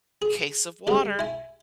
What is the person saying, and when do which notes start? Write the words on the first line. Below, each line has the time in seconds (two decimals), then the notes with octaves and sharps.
case of water
0.22 G#4
0.87 D3 G3 G#3 D4
1.19 E4 G#5